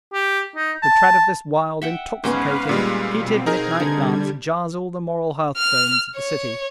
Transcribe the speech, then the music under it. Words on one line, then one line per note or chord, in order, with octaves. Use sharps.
The tread of this wild, intoxicating, heated midnight dance jars all the moral hearthstones of the city.
G4
D#4
A5
E5 F#5 G5
G#2 B3 C#4 B4 C5 F5
A#2 G3 G#3
B2 C4
D#4 G#4 A#4 G#6
D3 G3
F6
C#5